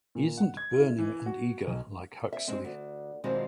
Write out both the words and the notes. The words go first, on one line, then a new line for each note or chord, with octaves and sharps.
He isn't burning and eager like Huxley.
A#2
F#5
G#6
E4
E3
F#4
B1
E5
G#3 C4
D2
B2 D#3 F3 G3 G#3 C4